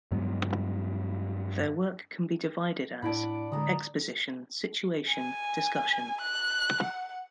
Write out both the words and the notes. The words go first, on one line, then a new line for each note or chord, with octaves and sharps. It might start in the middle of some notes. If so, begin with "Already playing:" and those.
Their work can be divided as: Exposition, Situation, Discussion.
G2 F#3 G#3 B3
A2 D4 E4 F#5 B5 D7
D3 G#3 A4 A#5 D#6
G#5
F#6
F#5